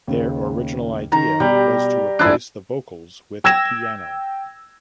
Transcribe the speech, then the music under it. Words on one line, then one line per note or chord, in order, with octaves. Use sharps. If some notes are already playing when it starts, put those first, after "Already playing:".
Their original idea was to replace the vocals with piano.
D#2 C#3
D#3 A#5
B2 G3 G4
G1 F2 G#2 D4 E4 G#4
G5 E6 G#6 A#6 E7